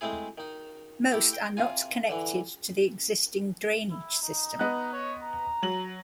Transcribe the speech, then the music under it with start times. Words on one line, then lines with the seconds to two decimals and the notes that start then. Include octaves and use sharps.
Most are not connected to the existing drainage system.
0.01 G#3 A3 C4 E4 G#4
0.38 D#3 D#4
1.12 A3 E4 G4 A4
1.33 G5
1.57 C3 F4 G#5
2.09 D3 E3
3.91 E4
4.22 D#4
4.59 B3 D#5 F#6
4.93 C#5
5.23 A#5
5.62 F#3 F#7